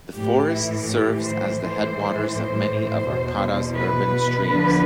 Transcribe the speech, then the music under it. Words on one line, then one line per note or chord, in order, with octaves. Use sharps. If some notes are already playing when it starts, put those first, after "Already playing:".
The forest serves as the headwaters of many of Arcata's urban streams.
A2 E3 G4
E4
G4
C5
A2 E3 C5
C5
E2 B2
B4
E2 D3 F3